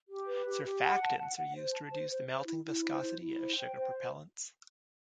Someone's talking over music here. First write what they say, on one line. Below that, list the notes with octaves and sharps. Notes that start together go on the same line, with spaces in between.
Surfactants are used to reduce the melting viscosity of sugar propellants.
G4
B4
G4
G4
F#5
A5
F#5
F#5
C5
A5
C5
C5
C5
E4
E4
C5
E4
E4
C5
G5
C5